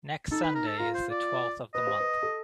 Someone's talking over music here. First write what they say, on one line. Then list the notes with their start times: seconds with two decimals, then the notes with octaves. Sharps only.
Next Sunday is the twelfth of the month.
0.31 D#4 A4
0.43 B4
0.55 A#4
0.67 A4
0.78 F4 A#4
0.94 C5
1.11 D5
1.74 B4 D#5
1.87 C5
2.00 B4
2.22 A4